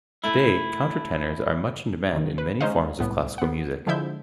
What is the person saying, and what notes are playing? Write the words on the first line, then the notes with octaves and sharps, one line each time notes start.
Today, countertenors are much in demand in many forms of classical music.
A3 E4
C3 D#3
B4
G#3 C#4 D#4 C5 D#5 F5
C2 A2 B3
B3 F#5
D3 F3 G#3 E4 E5 G6